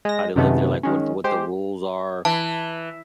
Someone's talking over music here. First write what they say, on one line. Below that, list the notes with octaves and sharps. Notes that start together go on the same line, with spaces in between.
how they lived there, like, what what the rules are,
G#3 A#6
F#2 C3 D#3 G#3 A3 B3
D#3 G#3 C#4
G#3 G4 C5
E3 A5